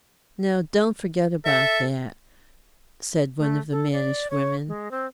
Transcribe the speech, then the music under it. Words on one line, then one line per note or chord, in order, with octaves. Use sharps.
"Now, don't forget about that," said one of the mannish women.
A4 E5
A3
A4
D5
C#5
G#3
C4